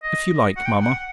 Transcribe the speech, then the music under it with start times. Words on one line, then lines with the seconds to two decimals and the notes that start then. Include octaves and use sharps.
"If you like, mama."
0.03 D#5
0.57 F#5
0.66 G5
0.82 F#5